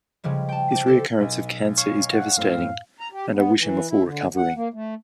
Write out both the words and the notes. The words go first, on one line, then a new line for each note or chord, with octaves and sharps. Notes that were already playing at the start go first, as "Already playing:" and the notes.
His reoccurrence of cancer is devastating and I wish him a full recovery.
C#3 F3 G3 G#3
G5 A5
C5 D5
G4 A4 C5
B1
C#5 F5 C#6
F#5
F#2 A2 C4 F5
A#5
G4
B3
E3
E4
D3
F#5
A#3
A3